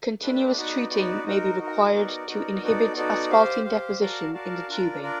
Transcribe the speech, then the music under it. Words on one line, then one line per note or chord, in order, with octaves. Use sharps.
Continuous treating may be required to inhibit asphaltene deposition in the tubing.
A3 D4 G4 B4
B3 D#4 F#4 B4 D5
B3 D#4 F#4 B4 D5
D#4 F#4 A#4
D#4 F#4 A#4
B3 D#4 F#4 A#4 D5
B3 D#4 F#4 A#4 D5
B3 D#4 F#4 A4 D5
B3 D#4 F#4 A4 D5
G4 C5 F5
G4 C5 F5
F#4 A#4 D5 F5 A5
F#4 A#4 D5 F5 A5
D4 F4 A#4 D5
D4 F4 A#4 D5